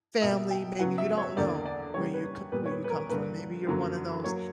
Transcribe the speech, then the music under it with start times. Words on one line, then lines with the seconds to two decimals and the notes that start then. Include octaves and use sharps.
family, maybe you don't know where you c where you come from, maybe you're one of those
0.22 B2 A#3 E5
0.51 G5
0.79 C#3 F#3 B3 F#5
0.98 E5
1.18 C#5
1.37 E2 D3 A#3 D5
1.65 D5
1.94 C#3 G3 A#3 C#5
2.14 B4
2.52 A#2 G3 B3 B4
2.66 C#5
2.71 B4
2.84 B4
2.90 A#4
3.09 G2 D3 A#3 B4
3.67 F#2 D3 F#3 A#3
4.24 F#3 A#3 C#5